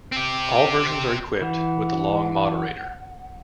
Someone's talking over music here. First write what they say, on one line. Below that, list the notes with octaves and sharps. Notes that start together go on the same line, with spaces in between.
All versions are equipped with the long moderator.
C4 G4
E3 F#5